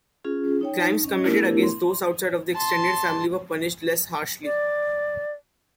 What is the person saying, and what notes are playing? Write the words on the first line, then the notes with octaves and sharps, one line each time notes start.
Crimes committed against those outside of the extended family were punished less harshly.
C#4 F4 G#4
D#4 C#5 G5
D#4
C#4 D#5
A3 B3 D4 E4 G4 A#4
C6
A5 C6
D5